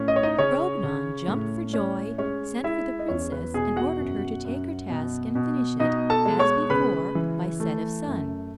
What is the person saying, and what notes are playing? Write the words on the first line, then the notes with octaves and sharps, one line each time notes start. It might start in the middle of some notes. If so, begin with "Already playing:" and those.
Grognon jumped for joy, sent for the princess, and ordered her to take her task, and finish it, as before, by set of sun.
Already playing: A2 C#4
D#5
C#5
D#4 D#5
C#3 C#4 C#5
C#3
A2
C#4
G#3 C#4 C#5
G#3 E4 E5
D#5
E2 C#4 C#5
B4
B2 G#4 G#5
F#4 F#5
F#2
F#2
B2
B2
B2 D#4 D#5
A4 A5
G#3
C#5 C#6
C#3 B4 B5
E3
A3
F#2